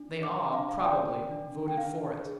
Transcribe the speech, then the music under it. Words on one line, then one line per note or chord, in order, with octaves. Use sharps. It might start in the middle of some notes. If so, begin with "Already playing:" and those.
They all, probably, voted for it.
Already playing: D4
D6
D4
F5
F5
G#5
D5 G5
D4
G5
D4 F5
G#4